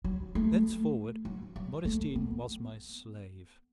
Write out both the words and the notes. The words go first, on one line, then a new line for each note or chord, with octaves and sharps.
Thenceforward Modestine was my slave.
F#3
A3
F#3
F#3
A3
B3